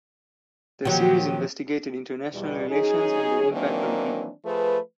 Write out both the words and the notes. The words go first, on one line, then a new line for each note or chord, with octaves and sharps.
The series investigated international relations and their impact on people.
A#2 D#3 F3 F#3 G4
E2 B2 G3
F#3 C#4 D#4 G#4
D#3 E3 F#3 A#3 C4 D4
F3 A3 G#4 B4